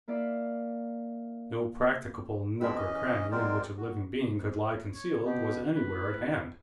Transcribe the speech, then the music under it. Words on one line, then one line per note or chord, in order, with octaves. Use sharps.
No practicable nook or cranny, in which a living being could lie concealed, was anywhere at hand.
A#3 E4 D5 E5 F5
G2 B2 G#3 C4 B5 E6
E3 C#4 D#5
F#3 G#3 C4 A#4 C5 D5
F#4
C#5
B2 G4
A2 B4